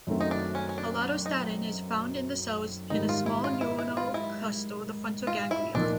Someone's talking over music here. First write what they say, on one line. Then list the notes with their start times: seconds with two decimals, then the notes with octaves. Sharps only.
Allatostatin is found in the cells in a small neuronal cluster, the frontal ganglion.
0.07 F#2 D#3 F#3 A3 C4
0.21 D#4
0.31 D4
0.55 C#4
0.69 C#4
0.78 D4
1.01 D4
1.26 D#4
2.90 G#2 D#3 G3 D#4
3.09 F4
3.26 E4
3.44 F4
3.61 E4
3.79 E4
3.97 F4
4.14 E4
5.27 F4
5.51 E4
5.74 A#2 F3 A#3 D4 D#4